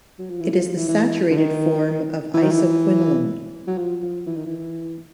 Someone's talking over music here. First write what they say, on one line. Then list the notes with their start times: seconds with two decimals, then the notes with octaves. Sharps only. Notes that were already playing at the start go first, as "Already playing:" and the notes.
It is the saturated form of isoquinoline.
0.19 F#3
0.30 F3
0.40 E3
0.53 F3
0.65 F3
0.76 E3
0.88 E3
1.31 D3
1.37 D#3
2.34 E3
2.42 D#3
2.51 E3
3.67 F#3
3.78 F3
4.02 F3
4.27 E3
4.36 D#3
4.46 E3